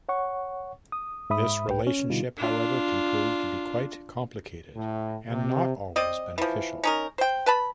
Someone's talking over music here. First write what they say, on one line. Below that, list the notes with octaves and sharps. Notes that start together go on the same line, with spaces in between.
This relationship however can prove to be quite complicated and not always beneficial.
C#5 F#5 C#6
D#6
G#2 E5 B5 D#6
C2 A2 B4 G5
C#4
B2 D3 G3 D#4 F4
D4 F4
A2
C3
C4 D5 D#5
E3 F3
C#4 D#4 A#4
C5 G5
B4 A5 B5